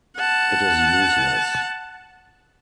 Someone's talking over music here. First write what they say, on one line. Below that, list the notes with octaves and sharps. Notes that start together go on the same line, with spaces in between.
It is useless.
F#5 A5